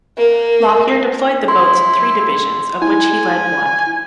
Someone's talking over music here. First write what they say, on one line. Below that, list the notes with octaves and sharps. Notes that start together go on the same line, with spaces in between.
Lockyer deployed the boats in three divisions, of which he led one.
A#3
E4 C6
E4 G#5